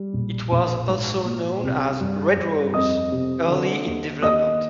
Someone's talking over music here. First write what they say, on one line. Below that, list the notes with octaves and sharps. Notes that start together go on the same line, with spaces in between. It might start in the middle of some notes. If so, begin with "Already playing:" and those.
It was also known as "Red Rose" early in development.
Already playing: G3
A#1
A#1
G#2
A#2
C2
G2
G2
F2 D#5 D#6
C3
D3
D#2
D#2 D#5 D#6